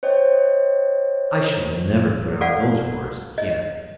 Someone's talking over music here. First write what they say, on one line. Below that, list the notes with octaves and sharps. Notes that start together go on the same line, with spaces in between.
I shall never put on those horrors again.
C5 C#5 D#5 G5
A4 D5 F5 F#5
D#5